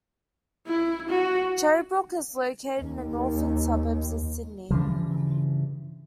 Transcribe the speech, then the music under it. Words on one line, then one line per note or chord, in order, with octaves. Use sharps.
Cherrybrook is located in the Northern Suburbs of Sydney.
E4
F#4
D#2
G2 C#3 E3 F3